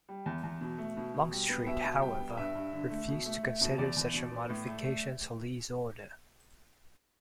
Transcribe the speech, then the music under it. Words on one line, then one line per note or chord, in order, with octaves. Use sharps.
Longstreet, however, refused to consider such a modification to Lee's order.
G3
E2
E2
B2
A3
B2
B2
G3
B3
B2 E5
B2
G3 G5
B3
G2 E5
G2
D3
A3
B2
A3
A3
B2
E2 D5
E2
B2
B3
A2
A3
A3